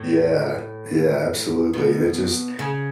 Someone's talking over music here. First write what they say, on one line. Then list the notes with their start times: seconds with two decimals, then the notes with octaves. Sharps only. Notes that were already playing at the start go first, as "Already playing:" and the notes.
Yeah. Yeah, absolutely, and it just
Already playing: A2
1.73 B2
2.59 C#3